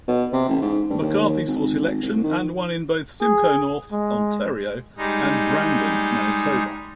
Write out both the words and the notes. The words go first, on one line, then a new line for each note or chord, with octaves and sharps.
McCarthy sought election and won in both Simcoe North, Ontario, and Brandon, Manitoba.
B2
C3
A1
G#2
G2
D#2
G#1
G#1
C2
D#3
G#4
G#3
G3 G#3 D#4